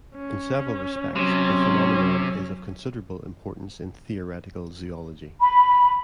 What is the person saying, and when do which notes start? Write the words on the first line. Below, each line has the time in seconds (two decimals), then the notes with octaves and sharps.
In several respects, the phenomenon is of considerable importance in theoretical zoology.
0.15 C#4
1.16 C3 F#3 C#4
5.41 B5